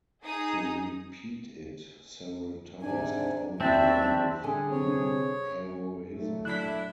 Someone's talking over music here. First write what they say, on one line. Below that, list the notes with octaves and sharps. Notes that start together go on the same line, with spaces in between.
To repeat it several times could only be done with real heroism.
D#4 G#4 D#6
G#2 C3 D4 G#5
D#2 C4 D4 E4 F#4 E5 G5
D3 G3 G#4 G#5
C3 C#5
A#2 F#3 A3
D4 E4 F#6 B6